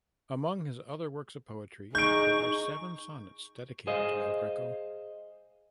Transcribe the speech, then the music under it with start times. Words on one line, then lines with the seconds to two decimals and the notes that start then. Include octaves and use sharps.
Among his other works of poetry there are seven sonnets dedicated to El Greco.
1.95 D#4 G#4 C#6 G6 D7
3.87 G#4 C5 D#5 F5